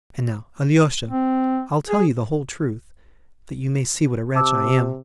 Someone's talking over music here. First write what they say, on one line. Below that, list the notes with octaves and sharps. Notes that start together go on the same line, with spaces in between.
And now, Alyosha, I'll tell you the whole truth, that you may see what a wretch I am!
C4
G#4
C3 A5 D6 E6